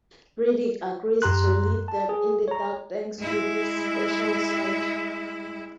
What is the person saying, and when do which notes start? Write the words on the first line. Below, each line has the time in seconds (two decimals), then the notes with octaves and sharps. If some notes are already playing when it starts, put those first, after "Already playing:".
Riddick agrees to lead them in the dark thanks to his special sight.
1.22 F#2 G4 A#5 C6 F#6
1.88 A5
2.09 G#4
2.48 C#5 A#5
3.18 G#3 E4